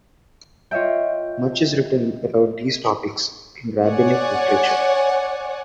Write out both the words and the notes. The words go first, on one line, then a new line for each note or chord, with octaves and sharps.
Much is written about these topics in rabbinic literature.
F4 C#5 D#5 E5 G5
C#5 D5 F#5 G#5